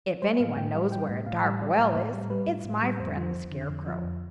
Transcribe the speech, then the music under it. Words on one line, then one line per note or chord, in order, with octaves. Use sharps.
"If anyone knows where a dark well is, it's my friend the Scarecrow."
G3 C5
A2 F5
A2 G5
G3 F5
G3 G5
A2
A2 F5
G3
G3 D5
A2
A2 C5
G3
G3 B4
A2
A2
G3
F2 C5
F3
F2
D3
F2
F3
F2